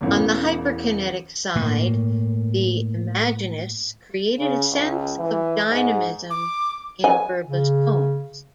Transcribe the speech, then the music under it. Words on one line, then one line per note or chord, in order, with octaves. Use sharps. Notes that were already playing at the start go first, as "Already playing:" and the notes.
On the hyperkinetic side the Imaginists created a sense of dynamism in verbless poems.
E1 A1 E2
A2 A#3
C#3
C#2
E3
G#2
D6
G#5
C#3